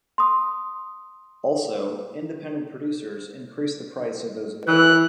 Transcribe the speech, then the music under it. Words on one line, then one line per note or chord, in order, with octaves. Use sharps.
Also, independent producers increased the price of those available.
C6 D#6
E3 F#6